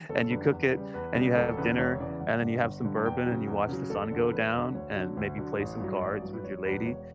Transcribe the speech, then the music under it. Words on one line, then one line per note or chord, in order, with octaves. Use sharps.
and you cook it, and you have dinner, and then you have some bourbon, and you watch the sun go down, and maybe play some cards with your lady,
F#1 A4
F#2 D3 G3 B4
E2
C#3 G3
E2 B4
C#3 G3
E1 A4
E2 C#3 E3 B4
E1 C#5
E2 C#3 E3 D5
G1 F#5
G2 D3 G3
G1
G2 D3 G3
A5
E2 G5
C#3 F#3
E2
C#3 F#3
E1 A4
E2 D3
E1 B4
E2 D3
D2 C#5
D3 F#3
D2
D3 F#3
A1
G2 F#3
A1 D5
G2 F#3
B4
E1 C#5
E2 B2 G3 B4
E1 C#5